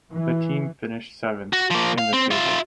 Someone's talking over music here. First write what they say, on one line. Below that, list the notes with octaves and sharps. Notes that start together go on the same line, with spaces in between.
The team finished seventh in the table.
E3
F#4
F3 A#3
F5
C4
F4 E5